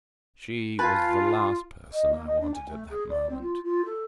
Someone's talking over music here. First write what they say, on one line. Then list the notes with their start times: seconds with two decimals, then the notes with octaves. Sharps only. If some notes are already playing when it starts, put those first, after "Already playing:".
She was the last person I wanted at that moment.
0.79 F4 B4 G#5 A5
1.93 D#5
2.12 A#3
2.26 D#5
2.40 D4
2.54 G#5
2.68 A3
2.90 G#4
3.10 D5
3.29 C4
3.41 F4
3.64 F4
3.85 A4